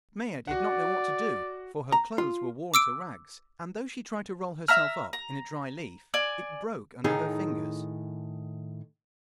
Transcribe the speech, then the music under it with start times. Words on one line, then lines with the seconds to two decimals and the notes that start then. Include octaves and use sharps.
Maia did not know what to do, for her clothes were worn to rags, and though she tried to roll herself up in a dry leaf it broke under her fingers.
0.47 F#4 D5 F#5
1.92 A#5
2.18 F4
2.74 D6 E6 D7
4.68 E5 A#5 F6
5.13 A#5
6.14 D5 G#5
7.04 A2 D#3 D#4 G#4